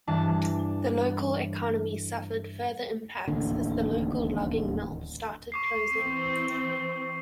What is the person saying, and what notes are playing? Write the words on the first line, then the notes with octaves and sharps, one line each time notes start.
The local economy suffered further impacts as the local logging mills started closing.
G2 E3 D4 A5
D1 A1 D#2 D3
C#6 D6 C7
E3 C4